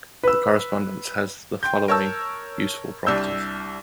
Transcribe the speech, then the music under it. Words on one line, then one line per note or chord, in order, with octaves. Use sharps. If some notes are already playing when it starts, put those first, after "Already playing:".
The correspondence has the following useful properties.
B4 E6
G5 C6 G6
A#4 C#5 A5 E6
C2 G3 D4 E6 G6